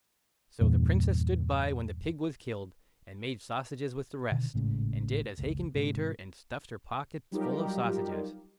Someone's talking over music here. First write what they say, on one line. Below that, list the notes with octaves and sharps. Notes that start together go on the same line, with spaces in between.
So the Princess stood by when the pig was killed, and made sausages with the rest, and did as Hacon bade her, and stuffed her pockets full of sausages.
E2 G2 A#2
B2 D3 D#3
G#1 A2 C#3 G#3
F#1 C#2
G#2 C3
F#3 G3 D#4 F4 G4 A#4